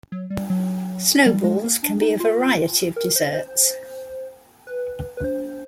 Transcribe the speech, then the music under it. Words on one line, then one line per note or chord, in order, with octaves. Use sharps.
Snowballs can be a variety of desserts.
F#3
G3
F#3
G3
G#3
A#3
D4
D#4
F4
A#4
C5
C5
B4
B4
C5